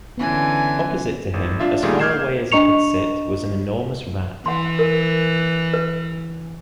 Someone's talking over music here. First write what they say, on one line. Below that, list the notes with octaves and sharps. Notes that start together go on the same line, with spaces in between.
Opposite to him — as far away as he could sit — was an enormous rat.
D3 E3 B3 C#4 G#5
G#1
D4 F4 E5
A#2 D#3 G3 A3 F4 G#4
D6 F6 G6 G#6 C7 E7
D4 D#5 A#5 C#6 C#7 F7
E3 F#5 C6
A#4
B4